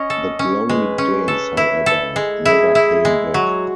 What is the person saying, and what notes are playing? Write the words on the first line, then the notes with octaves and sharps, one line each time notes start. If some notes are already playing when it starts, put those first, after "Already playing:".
The glory days, however, never came back.
Already playing: C#4 D#5
A4
C#4
G#3 B4
C#4
A4
E4
A4
G#3
E4 G#4
E4
G#3
F#3 F#4